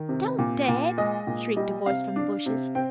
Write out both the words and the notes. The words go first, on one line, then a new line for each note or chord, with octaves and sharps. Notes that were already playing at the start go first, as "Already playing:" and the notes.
"Don't, Dad!" shrieked a voice from the bushes.
Already playing: D#3
C3
A#2
A#2
G#3 D#5
A#2
G3 D#5
C3 F5
D4
C3
C4 G5